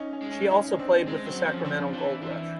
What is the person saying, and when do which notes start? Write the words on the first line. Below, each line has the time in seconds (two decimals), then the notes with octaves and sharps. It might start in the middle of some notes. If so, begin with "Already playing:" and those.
She also played with the Sacramento Gold Rush.
Already playing: C#4 D#4
0.13 C#4
0.22 G#3
0.31 C#4
0.51 C#4 D#4
0.79 C4 D4
1.08 G#3 C4
1.26 F#3 C4
1.46 F3 C#4
1.60 C#4
1.64 F3 C4 D4
1.94 E3
2.21 E3 D4 E4